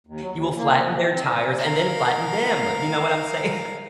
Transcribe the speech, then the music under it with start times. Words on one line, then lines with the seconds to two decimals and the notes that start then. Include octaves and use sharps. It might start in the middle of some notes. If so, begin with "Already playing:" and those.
You will flatten their tires and then flatten them, you know what I'm saying?
0.07 D#2
0.22 F#3
0.33 D#2
0.57 A#3
0.80 F3
0.98 E3
1.12 C4
1.58 A#4 F5